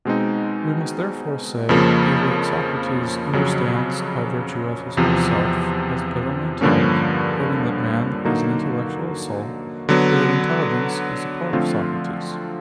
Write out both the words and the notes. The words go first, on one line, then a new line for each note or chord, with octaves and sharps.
We must therefore say either that Socrates understands by virtue of his whole self, as Plato maintained, holding that man is an intellectual soul; or that intelligence is a part of Socrates.
B2 G#3 C4 D#4
F2 C#3 F3 A#3
F2 C#3 F#3
E2 C3 F3
G2 D3 F3 A#3 C#4
D3 F#3 A#3 D#4 F#4
D3 F#3 B3
D3 F3 A3 C4 F4